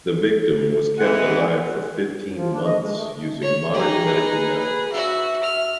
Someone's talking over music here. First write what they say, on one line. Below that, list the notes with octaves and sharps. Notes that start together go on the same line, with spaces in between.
The victim was kept alive for fifteen months using modern medical methods.
A4
E3 G#3 C4 F#5
F#2
F3
D4
D#5
G#3
A3
C#5
D#4 G4 G#4
B4
G#4
F#4 E5
F6